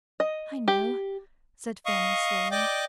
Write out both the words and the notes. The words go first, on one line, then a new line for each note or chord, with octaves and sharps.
"I know," said Fanny slowly.
D#5
G4
D#5 F5 C#6 D#6
D5 D#5 G5 D6